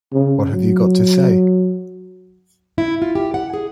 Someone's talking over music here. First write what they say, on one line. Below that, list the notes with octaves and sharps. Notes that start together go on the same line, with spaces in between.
What have you got to say?
C#3
F#3
E4
F4
G4
F#5
G#4